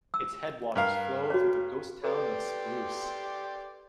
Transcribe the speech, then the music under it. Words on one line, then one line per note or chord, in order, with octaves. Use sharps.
Its headwaters flow through the ghost town of Spruce.
E6
G2 A#4 F5
F#4 C#5
G4 A4 B4 D5 C6